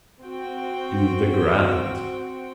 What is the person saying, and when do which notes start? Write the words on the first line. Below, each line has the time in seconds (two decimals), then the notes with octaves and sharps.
Do the grand.
0.21 C4 F#4 G5